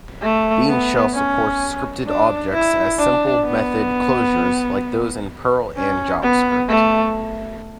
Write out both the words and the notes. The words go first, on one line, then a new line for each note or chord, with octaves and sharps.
BeanShell supports scripted objects as simple method closures like those in Perl and JavaScript.
A3
B3
C#4
D4
E4
D4
B3
C#4
B3
A3